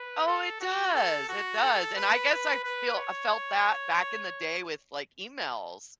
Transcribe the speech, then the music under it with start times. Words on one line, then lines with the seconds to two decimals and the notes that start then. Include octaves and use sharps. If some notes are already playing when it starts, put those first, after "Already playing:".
Oh, it does, it does, and I guess I feel I felt that back in the day with, like, emails,
Already playing: B4
0.27 A4
0.61 F#4
0.95 A4
1.29 F#4
1.62 A4
1.96 B4
2.30 B4
2.64 B4
2.97 C#5